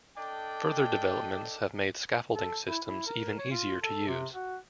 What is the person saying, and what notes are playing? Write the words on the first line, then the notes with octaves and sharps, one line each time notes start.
Further developments have made scaffolding systems even easier to use.
D4 A4 D5 D#5 G5
A4
E4
E4
A#4
C#5
F4
A4
C3
F#4